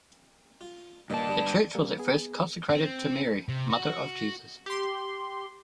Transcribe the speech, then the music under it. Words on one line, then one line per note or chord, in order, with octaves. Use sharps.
The church was at first consecrated to Mary, mother of Jesus.
F4
G2 A#2 D#3 A#3 A5
D3 G3 B3
G3 A#3
B3 G#4
C4
C3
F#4
G4 C6